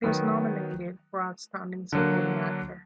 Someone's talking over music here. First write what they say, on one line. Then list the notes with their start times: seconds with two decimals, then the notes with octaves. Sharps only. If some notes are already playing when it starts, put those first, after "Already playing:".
He was nominated for Outstanding Supporting Actor.
0.04 D#3 F#3 B3
1.92 D3 F#3 A#3